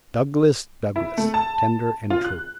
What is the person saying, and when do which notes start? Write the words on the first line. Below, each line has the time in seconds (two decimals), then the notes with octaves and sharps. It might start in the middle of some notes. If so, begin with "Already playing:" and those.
Douglas, Douglas, Tender and true.
0.96 E4
1.18 A3
1.34 A5
2.10 F4
2.24 F#6